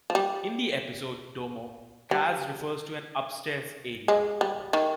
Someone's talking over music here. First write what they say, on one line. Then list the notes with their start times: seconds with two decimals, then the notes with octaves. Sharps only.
In the episode "Domo", Kaz refers to an upstairs area.
0.10 F3
0.15 G3
2.11 G3
4.08 G#3
4.41 G3
4.73 D#3